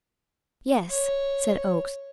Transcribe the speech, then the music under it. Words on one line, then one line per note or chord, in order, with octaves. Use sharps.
"Yes," said Oakes.
C#5